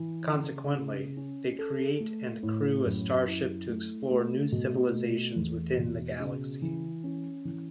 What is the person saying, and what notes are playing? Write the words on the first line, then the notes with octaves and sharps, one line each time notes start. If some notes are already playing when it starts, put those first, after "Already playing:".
Consequently, they create and crew a starship to explore new civilizations within the galaxy.
Already playing: E3
C#3
C#3
C#4
A4
A3
A2
F#2
E4
A3
A3
B2
A3
E2
B2
C#3
E3
C#4
E3